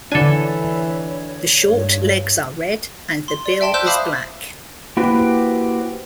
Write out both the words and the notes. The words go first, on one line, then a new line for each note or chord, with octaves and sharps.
The short legs are red and the bill is black.
D3 E3 D4 A4 C#5 G#5
G2
C6
D5
E5 G5 A5 C6 E7
C5 C6 E6 F#6 G6 E7
E5 F5 A5 B5 D6 D#6
A#3 E4 F#4 G4 B4 C5